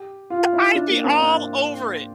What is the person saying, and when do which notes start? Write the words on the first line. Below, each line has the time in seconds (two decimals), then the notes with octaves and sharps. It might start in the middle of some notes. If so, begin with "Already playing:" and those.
I'd be all over it.
Already playing: G4
0.30 F4
0.53 E4
0.75 D4
0.90 A#3
1.04 C4
1.19 D4